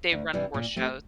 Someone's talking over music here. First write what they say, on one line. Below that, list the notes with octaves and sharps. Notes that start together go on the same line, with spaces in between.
they run horse shows,
D2
C3 E3 G3 D4
A#2
A3 C4 G4